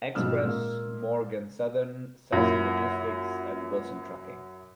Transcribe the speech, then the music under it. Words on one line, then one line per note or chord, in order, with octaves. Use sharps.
Express, Morgan Southern, Salson Logistics and Wilson Trucking.
G#2 B2 F3 G3 E6 F6
A#2 G#3 A#3
F#2 A#3 E4 F4